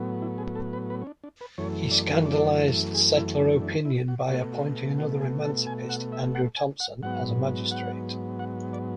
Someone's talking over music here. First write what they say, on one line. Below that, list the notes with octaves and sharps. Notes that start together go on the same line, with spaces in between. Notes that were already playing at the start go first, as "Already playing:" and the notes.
He scandalised settler opinion by appointing another emancipist, Andrew Thompson, as a magistrate.
Already playing: A2 F#3 B3
E4
G#4
A4
B4
B4
C#4
D4
D4
B4
F#2 E3 A3 C#5
D5
D5
G#4
E4
D4
D4
E4
F#4
B2 A3 F#4
F#4
F#4
G#4
A4
G#5
F#5
E5
F#5
G#5
F#5
G#2 F#3 B3 F#5
F#5
F#5
D5